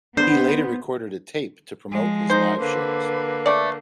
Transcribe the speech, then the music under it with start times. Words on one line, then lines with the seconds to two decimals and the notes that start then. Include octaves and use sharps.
He later recorded a tape to promote his live shows.
0.17 B3 D4 C5
1.90 F3 G#3
2.30 D#4 C5
2.59 D3 A#3 B4
3.46 A3 D5